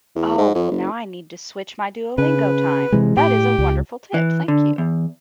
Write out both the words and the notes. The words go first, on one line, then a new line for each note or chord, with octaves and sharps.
Oh, well, now I need to switch my Duolingo time, that is a wonderful tip, thank you.
E2
G#2
F2
F#1
C#3 B4
C3 E3 G#3
A2 G4
C#2
E3
D3
E2